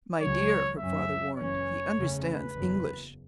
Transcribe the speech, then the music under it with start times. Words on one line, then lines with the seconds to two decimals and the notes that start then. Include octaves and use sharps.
'My dear,' her father warned, 'he understands English.'
0.21 C#2 C#3 F#3 C#5
0.79 F#2 F#3 C#4 E5
1.38 F#1 F#2 E3 C#4 C#5
1.97 E2 C#3 A3 C#4
2.25 B4
2.54 F#1 E2 C#3